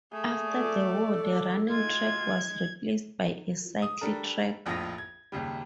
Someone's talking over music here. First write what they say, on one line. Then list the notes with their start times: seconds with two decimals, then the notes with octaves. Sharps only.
After the war the running track was replaced by a cycle track.
0.12 A3 G#4
0.49 A4 D5
1.23 D4
1.70 G#3 F4 G#6
3.82 D#6
4.01 G3 D4 A4 A#4
4.66 A#1 F2 A2 F4 A#6
4.98 G#6
5.32 G#1 D#2 C#3 G3